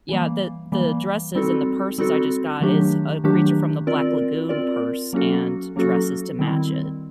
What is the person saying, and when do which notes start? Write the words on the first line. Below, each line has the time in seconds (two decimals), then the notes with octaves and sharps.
yeah, the the dresses and the purses I just got is a creature from the Black Lagoon purse and dresses to match it.
0.09 E3 G3 A#3
0.72 E3 G3 A#3
1.35 G3 C4 D#4 F#4 A4
1.98 G3 C4 D#4 F#4 A4
2.61 D#3 F#3 A3 D4 G4
3.24 D#3 F#3 A3 D4 G4
3.87 C4 F4 A#4 D5
4.49 C4 F4 A#4 D5
5.13 F#3 A#3 C#4 F#4 A4
5.76 F#3 A#3 C#4 F#4 A4
6.39 D#3 G3 C4 E4